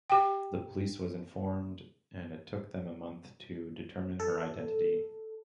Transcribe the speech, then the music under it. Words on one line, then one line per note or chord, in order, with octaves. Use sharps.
The police was informed and it took them a month to determine her identity.
G4 G5
A4